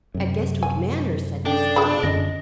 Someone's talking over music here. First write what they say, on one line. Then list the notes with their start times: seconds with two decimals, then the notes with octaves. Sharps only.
"At Guestwick Manor!" said Mrs. Dale.
0.14 F#2 C3
0.63 G#5
1.45 C#4 D4 A4 G5
1.76 F3 G#4 B5
2.03 F#2 D3 C#4 D#5 A#6